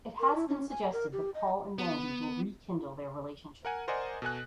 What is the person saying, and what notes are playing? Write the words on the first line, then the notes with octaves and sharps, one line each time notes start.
It has been suggested that Paul and Mandy will rekindle their relationship.
A#4
E4
C#4
G#5
A#4
G4
D#5
B3
A#4 F#5 G#5
A#4 C5 D5 D#5 F#5 G#5
B2 A4 G#5 F#6